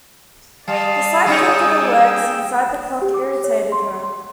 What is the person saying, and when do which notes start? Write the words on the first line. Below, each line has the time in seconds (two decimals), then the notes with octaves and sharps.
The slight click of the works inside the clock irritated her.
0.68 G3 D5 F5 A5 D#6
1.26 G3 C#4 D#4 G#4 G5 E6
3.01 G4
3.14 D6
3.44 C#5
3.72 C6
4.03 C6